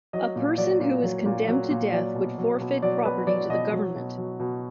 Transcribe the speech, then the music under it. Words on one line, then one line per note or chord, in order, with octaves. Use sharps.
A person who was condemned to death would forfeit property to the government.
F#3 D#5
A#2
F#3 D5
A#2
F#3
A#2
F#3
A#2
F#3 D5
B2
F#3
B2
F#3 D5
B2 B4
F#3 D5
B2 D#5
F#3
B2
F#3
B2